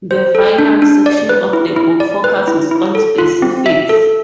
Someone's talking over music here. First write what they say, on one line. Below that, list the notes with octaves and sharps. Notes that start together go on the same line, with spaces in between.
The final section of the book focuses on specifics.
C5
A4
D4
D4
D5
B4
E4
E4
D5
B4
E4
E4
A4
F4
C4
E5
A4